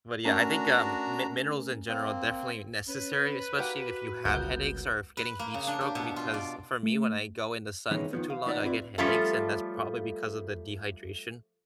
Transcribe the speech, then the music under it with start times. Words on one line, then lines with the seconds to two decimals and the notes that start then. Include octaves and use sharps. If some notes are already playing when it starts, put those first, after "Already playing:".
But yeah, I think, um, mi minerals, in general, are definitely necessary, especially if you have headaches, or if getting heat stroke, because for me, when I go in the sun for too long, I get headaches, and that's probably because of the dehydration,
0.25 A3 C#4 D4 F#4 A#4 A#5
1.88 A#3 C4
2.88 C#4 B4
3.58 A#3 F#4 G4 F#5
4.25 G1 C#2 A#3 B3 F#5 G6
5.17 B4
5.39 A#3
5.54 C#3
5.67 D4
5.81 G4
5.95 B2
6.16 F4
6.34 D5
6.83 A3
7.91 D#3 E3 G#3 B3 C#4
8.13 D#3 F3 B3
8.30 F5
8.45 D#2 A#2 D#4 B4 D5 F#5
8.64 C4 E4 F4 B4 D5
8.98 F3 G3 A3 C#4 F4 A4